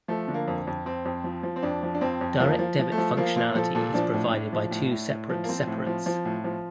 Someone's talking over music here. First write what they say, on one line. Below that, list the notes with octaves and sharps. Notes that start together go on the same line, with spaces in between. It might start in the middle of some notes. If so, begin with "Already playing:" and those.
Direct debit functionality is provided by two separate separates.
F3 A3
D3
A#3
F2
F2
F2 C4
F2
F3
F3
C4
F2 D4
F3
D4
F2 C4
F2
F3 A#3
F3
F3
A3
F3
F3 A#3
A#2 A#3
F3 A4
A#2 A4
F3 D4
A2
A2
F3
A2
A2
A2
F3
A#3
F3 C4
A2
F3
F3
A2
F3